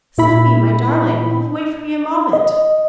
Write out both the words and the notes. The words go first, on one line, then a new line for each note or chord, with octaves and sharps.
'Sunbeam, my darling--only wait for me a moment.'
A#2 E4 B5
D#5